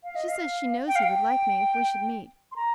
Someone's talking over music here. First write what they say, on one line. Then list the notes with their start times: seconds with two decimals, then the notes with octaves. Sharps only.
She says she knows he would like me if we should meet.
0.04 F5
0.16 D#5
0.29 F5
0.88 G5
0.96 F5
1.03 G5
2.52 C6
2.56 A#5